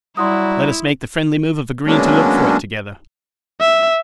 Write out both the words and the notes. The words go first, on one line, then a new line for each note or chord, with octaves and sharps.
Let us make the friendly move of agreeing to look for it together.
F#3 G3 E4 F#4 C6 D#6
B2 F#3 G#3 A#3 C#4 D4
E5